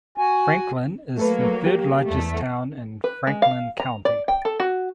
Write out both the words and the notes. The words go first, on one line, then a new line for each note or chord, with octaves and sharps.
Franklin is the third largest town in Franklin County.
F#4 G#5
F#3 A3 A#3 A4 B4
G4
E2 A3
B4
G#3
F5
A#5
D5
G5
A4
F#4